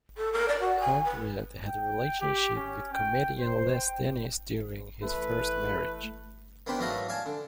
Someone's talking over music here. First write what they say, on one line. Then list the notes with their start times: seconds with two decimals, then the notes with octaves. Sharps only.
Aldred had a relationship with comedian Les Dennis during his first marriage.
0.16 A4
0.32 A#4
0.48 D5
0.59 F#4
0.80 G#5
1.04 B4
1.66 G5
2.20 G4
2.56 C#4
2.93 G5
3.40 C5
3.74 G5
5.03 E3 A3 B4
6.67 A#3 B3 D4 G4 C5
6.79 G#2 E3 F#3 A3 D#5 F5
7.09 D5 F5 G#5 A5
7.26 D3